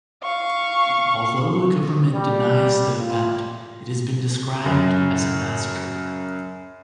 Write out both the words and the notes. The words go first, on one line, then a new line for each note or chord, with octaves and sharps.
Although the government denies the event, it has been described as a Massacre.
F5 C#6
G3
F4
F#2 C#3